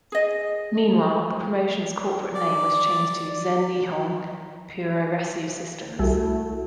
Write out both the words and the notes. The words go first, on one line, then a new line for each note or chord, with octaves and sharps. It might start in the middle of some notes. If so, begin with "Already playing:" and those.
Meanwhile, the promotion's corporate name was changed to "Zen Nihon Puroresu Systems".
G#4 D#5
D5
C2 A3 E4 F#4